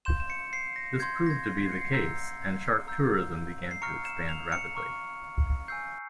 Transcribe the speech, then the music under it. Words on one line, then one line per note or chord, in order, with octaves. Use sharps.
This proved to be the case and shark tourism began to expand rapidly.
C6 G6 E7
E7
C#7
C7
A#6
C6 G6 G#6
A#6
G#6
C7
C#7
C7
A#5 E6 G6
A#5 E6 G6
C7
A#5 C#6 F6 C#7
E7
F7
C#7
A#5 C#6 F6
G#5 E6 G6 C7